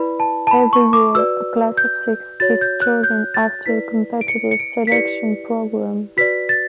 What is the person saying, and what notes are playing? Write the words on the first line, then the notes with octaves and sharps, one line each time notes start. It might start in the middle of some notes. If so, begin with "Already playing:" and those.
Every year a class of six is chosen after a competitive selection program.
Already playing: E4 B4 D5 B5
A5
A5
B5
C#6
D6
F#4 B4 D5 E6
G6
F#4 C#5 A6
G6
F#6
G6
A6
E4 B4 D5 B6
D7
C#7
C#7
D7
B6
E4 G4 B4 D5 C#7
F#4 B4 D5 B6
A6